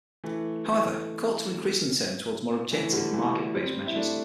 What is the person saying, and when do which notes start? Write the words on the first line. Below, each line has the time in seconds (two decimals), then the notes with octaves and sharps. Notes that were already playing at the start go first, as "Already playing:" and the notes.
However, courts are increasingly turning toward more objective, market-based measures.
0.24 E3 A3
0.66 E3 A3
2.72 E3 A3
2.92 D3 G3
3.13 E3 A3
3.54 G3 C4
3.87 E4
3.96 A3 D4